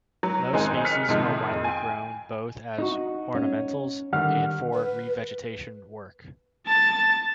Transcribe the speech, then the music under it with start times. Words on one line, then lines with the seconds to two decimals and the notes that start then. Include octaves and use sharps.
Most species are widely grown both as ornamentals and for revegetation work.
0.23 F#3
0.53 A1 D#3 G#3 C4 G#5 F#6
0.85 F6 F#6 B6 C#7
1.09 C3 D#3 F3 G#3
1.47 F2
1.64 G5 G#5
2.78 D#4 F#4
3.34 C#4
4.13 D3 D#3 G3 F#5 F6
4.74 B4
6.66 A5 A6